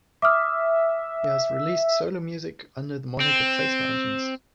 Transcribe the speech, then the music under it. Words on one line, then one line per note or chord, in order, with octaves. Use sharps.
He has released solo music under the moniker Trace Mountains.
E5 D6 D#6 F6
C4